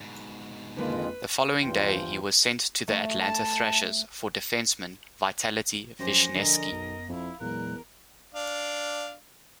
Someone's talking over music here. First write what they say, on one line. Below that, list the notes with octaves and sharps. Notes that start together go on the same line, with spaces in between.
The following day, he was sent to the Atlanta Thrashers for defenceman Vitaly Vishnevski.
G#2 B2
F2 D3 D#3 G#3 A#3 F4 B4
E2 G2 E3 F3 F4 G5
A3
A5
F#2 F3 G4 C5 G#5 A#6
D3 A#4 D#5
B1 F#2 B3
F2 E4 F5
E2 A#2 F#3 G#3 A#4 F#6
D4 F5